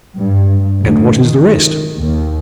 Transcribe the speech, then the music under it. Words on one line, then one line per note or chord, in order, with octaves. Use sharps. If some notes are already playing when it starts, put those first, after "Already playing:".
"And what is the rest?"
G2
D2
D#3
D#2